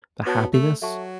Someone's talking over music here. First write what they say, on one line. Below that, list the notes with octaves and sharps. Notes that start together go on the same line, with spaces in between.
the happiness,
B3 F#4 C#5 A5
A3
F#3 A4 E5 A5 C#6